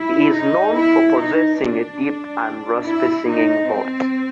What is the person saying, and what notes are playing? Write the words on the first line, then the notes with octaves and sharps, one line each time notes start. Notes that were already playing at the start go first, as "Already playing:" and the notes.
He is known for possessing a deep and raspy singing voice.
Already playing: E4
D#4
E4
D#4
D4
E4
D#4
C4